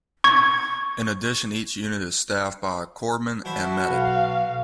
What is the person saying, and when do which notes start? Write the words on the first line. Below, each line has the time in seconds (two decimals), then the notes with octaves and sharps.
In addition each unit is staffed by a Corpsman or Medic.
0.24 C#6 G#6
3.45 E4 F#4 C5 E5 A5
3.88 B1 F5